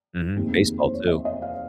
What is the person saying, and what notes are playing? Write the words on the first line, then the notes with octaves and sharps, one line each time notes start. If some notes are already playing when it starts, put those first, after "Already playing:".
Mhm, baseball too.
F1 D#2 D#3 G#3 C4
C5
C#5
D#5
D#5
F5